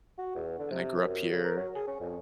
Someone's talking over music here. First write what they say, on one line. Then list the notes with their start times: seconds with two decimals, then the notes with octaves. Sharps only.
and I grew up here."
0.18 F#4
0.35 E2
0.59 D3
0.71 C3
0.96 F#2
1.32 C#3
1.44 A#4
1.57 F#3
1.75 G#4
1.87 C#4
2.00 F2